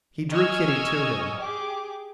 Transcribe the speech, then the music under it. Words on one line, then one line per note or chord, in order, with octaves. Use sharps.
He drew Kitty to him.
D#5 G#5 C#6 E6 F6 G#6
G4 G#4 D6